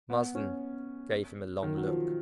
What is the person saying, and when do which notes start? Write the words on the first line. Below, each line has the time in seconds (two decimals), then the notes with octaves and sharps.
Marsden gave him a long look.
0.10 B3
0.35 C#4
1.63 D#3
1.77 F#3
1.87 F3